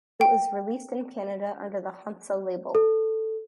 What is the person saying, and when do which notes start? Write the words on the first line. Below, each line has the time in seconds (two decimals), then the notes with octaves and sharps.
It was released in Canada under the Hansa label.
0.21 G5
2.75 A4